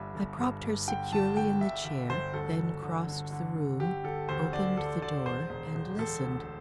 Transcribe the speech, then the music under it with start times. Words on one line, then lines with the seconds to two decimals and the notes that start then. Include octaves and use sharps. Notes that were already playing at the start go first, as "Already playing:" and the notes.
I propped her securely in the chair, then crossed the room, opened the door and listened.
Already playing: G1 G2 D3 E5
0.14 G1
0.38 G2
0.64 G2
0.88 D3 G5
1.12 G1 A5
1.36 D3 G5
1.61 G1 E5
1.85 D3 E5
2.09 G1 C5
2.34 D2 A4
2.59 D2
2.83 D3
3.07 D3
3.31 D3
3.56 D3
3.79 D3 G4
4.04 D3 A4
4.29 D2 C5
4.53 D3 D5
4.77 D2 A4
5.01 D3 D5
5.26 E1 C5
5.50 E1
5.75 E1
5.99 E1 A4
6.24 D2